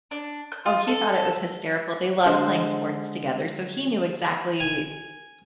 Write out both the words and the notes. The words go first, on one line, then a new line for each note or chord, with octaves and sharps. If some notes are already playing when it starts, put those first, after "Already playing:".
Oh, he thought it was hysterical, they love playing sports together, so he knew exactly
D4
G6
F4
A4
D3 G#3 C5
G#5